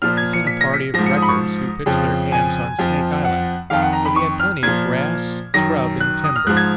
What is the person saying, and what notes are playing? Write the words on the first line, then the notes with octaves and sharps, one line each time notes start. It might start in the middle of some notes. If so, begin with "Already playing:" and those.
He sent a party of wreckers who pitched their camps on Snake Island, where they had plenty of grass, scrub, and timber.
A#2 F3 F6
G#6
C#7
B6
A#6
B6
G#2 F3 A#6
C#7
D#6
B5
C#6
F2 C#3 F3
G#5
F2 F3
F#5
F2 D#3 F5
F#5
A#5
B5
C#6
F6
A#2 F3 G#6
F#2 D#3 A#6
F#6
D#6
F6
G#2 F3 F#6
G#6